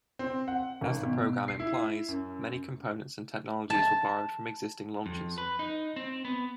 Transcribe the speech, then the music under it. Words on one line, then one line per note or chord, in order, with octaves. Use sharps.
As the program implies, many components and technologies were borrowed from existing launchers.
C4
F#5
G#1
B2
C7
E4
F#2
A5
F2
B4
D#4
C4
B3